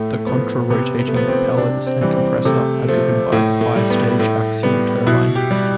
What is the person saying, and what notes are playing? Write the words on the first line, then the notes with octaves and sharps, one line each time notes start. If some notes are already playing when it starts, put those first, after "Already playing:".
The contra-rotating propellers and compressor are driven by the five-stage axial turbine.
Already playing: A2 A3
A3
F3 B3
C3 B3
B3
A3
F3 B3
C4
C3 D4
C4
E3 G3
C4
C3 A3
F3 A3
A2 A3
A3
G3
B3
A2 A3
G3 B3
B2 E4
G4
G3